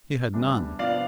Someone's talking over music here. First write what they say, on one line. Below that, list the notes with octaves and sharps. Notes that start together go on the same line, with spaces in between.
He had none.
E2 C3 G3 D4
C3 F3 B3 D4 D5 F5